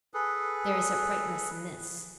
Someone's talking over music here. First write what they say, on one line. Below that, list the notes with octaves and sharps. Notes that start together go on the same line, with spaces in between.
There is uprightness in this.
G#4 A4 B4